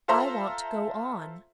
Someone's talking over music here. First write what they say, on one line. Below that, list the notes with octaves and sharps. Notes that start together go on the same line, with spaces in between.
"I want to go on."
F4 A4 C5 E5 A#5 C6